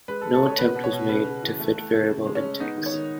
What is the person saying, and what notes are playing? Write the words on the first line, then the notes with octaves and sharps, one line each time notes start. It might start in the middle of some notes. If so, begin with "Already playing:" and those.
No attempt was made to fit variable intakes.
G#3 B4
A4
G#3
A4
C#3 C#5
B3 B4
B2
C#5
B2
C#3 B4
C#3
E3
A3
A3
A3
C#3
G#3
C#4
G#3
B3 D#4
D#3
C#5
D#3